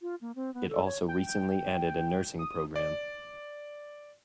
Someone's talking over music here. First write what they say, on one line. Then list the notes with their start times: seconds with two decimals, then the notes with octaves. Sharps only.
It also recently added a nursing program.
0.01 F4
0.21 A#3
0.36 C4
0.54 B3
0.69 A4
0.85 C#5
1.08 G5
2.39 D#6
2.76 D5